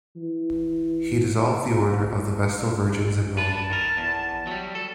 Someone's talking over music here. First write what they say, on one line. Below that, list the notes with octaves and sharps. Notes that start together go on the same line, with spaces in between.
He dissolved the order of the Vestal Virgins in Rome.
E3
D4 B4 A5
D#3 A#4
E2
F#3 G3
A4